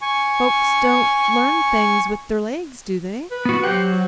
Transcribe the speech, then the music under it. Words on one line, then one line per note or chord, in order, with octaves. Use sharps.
"Folks don't learn things with their legs, do they?"
G#5 C#6
B4
B3 F#4
F#3 G4 C5 F#5
F#4